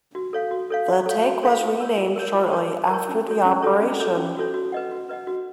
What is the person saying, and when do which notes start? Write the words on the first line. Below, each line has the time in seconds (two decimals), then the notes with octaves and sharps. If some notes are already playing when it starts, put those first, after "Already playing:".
The tank was renamed shortly after the operation.
0.15 F#4
0.33 A4 C#5 F5
0.51 F#4
0.70 A4 C#5 F5
0.88 F#4
1.06 A4 C#5 F5
1.25 F#4
1.43 A4 C#5 F5
1.61 F4
1.80 A#4 C#5
1.98 F4
2.16 A#4 C#5
2.34 F4
2.53 A#4 C#5
2.72 F4
2.90 A#4 C#5
3.09 C#4
3.26 F#4 A4 C#5
3.45 C#4
3.63 F#4 A4 C#5
3.82 C#4
4.00 F#4 A4 C#5
4.17 C#4
4.37 F#4 A4 C#5
4.54 F#4
4.72 B4 D#5 F#5
4.91 F#4
5.09 B4 D#5 F#5
5.27 F#4